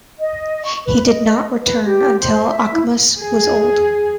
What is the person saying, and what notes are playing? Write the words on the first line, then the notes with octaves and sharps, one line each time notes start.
He did not return until Ochimus was old.
D#5
C#6
B4
D#5
B4
G4
C5
E5
E4
G#4